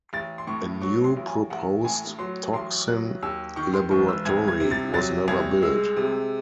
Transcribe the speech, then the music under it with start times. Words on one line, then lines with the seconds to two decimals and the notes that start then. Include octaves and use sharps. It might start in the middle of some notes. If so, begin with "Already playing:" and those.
A new proposed toxin laboratory was never built.
0.13 A1 A6
0.38 C6
0.47 A2 C#6
0.82 F#3 C#6
1.04 C6
1.17 A1
1.28 G#5
1.50 A1 F#5
1.84 A2 G#5
2.19 F#3 C6
2.53 A1 C6
2.88 F#3 F#6
3.23 D#2 E6
3.56 D#3 C#6
3.74 C6
3.91 E1 C#6
4.08 E6
4.25 C2 G#6
4.48 G#6
4.60 C3
4.71 A6
4.94 F#3 A6
5.28 C2 G#6
5.63 G#3 E6
5.96 C3